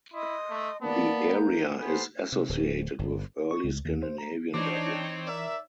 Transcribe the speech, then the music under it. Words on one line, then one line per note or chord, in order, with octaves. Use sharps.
The area is associated with Early Scandinavian Dublin.
E4 D#5 C6 D#6
A3
A#3 B3 D5 A5 D6
A#5 G6
B3 A4 C5 G#5
C3
D1
G1
C#6
C#2
D#2
C5
A#5
E3 C4 D4 D#4 C#5 D6
A#4 D5 E5